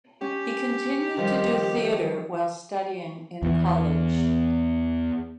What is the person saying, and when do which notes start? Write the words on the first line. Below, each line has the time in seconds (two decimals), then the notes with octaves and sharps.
He continued to do theatre while studying in college.
0.21 C#4 G4
1.17 D#3 F3 G3
3.43 E2 E3